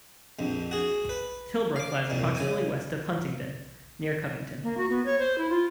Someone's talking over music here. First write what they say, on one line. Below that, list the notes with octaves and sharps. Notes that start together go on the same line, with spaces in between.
Tilbrook lies approximately west of Huntingdon, near Covington.
A#1 F2
F#4 G#4
B4
F5 D6
C2 F2 A#2
C#3 G#5
A#3
F#4
B3
C#5
C5
E4
F4